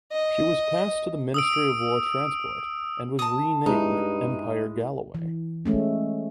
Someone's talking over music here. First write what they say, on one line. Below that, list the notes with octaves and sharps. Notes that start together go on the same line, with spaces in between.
She was passed to the Ministry of War Transport and was renamed "Empire Galway".
D#5
D#6 E6 D7
A5 D#6
G2 G#3 D#4 E4
E3
G#3 A3 C#4